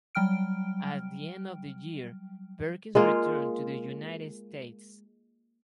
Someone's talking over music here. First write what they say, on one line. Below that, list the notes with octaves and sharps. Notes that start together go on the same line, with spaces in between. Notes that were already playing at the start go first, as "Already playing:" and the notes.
At the end of the year "Perkins" returned to the United States.
F#3 G3 G5 F6 D7
G#3 A#3 F4